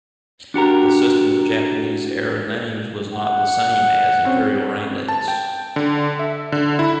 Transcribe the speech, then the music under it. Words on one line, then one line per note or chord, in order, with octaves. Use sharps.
The system of Japanese era names was not the same as Imperial reign dates.
D4 F#4 G4 A#4
F#5
C4 C#4
A5
G5
D3
E5
D3
E4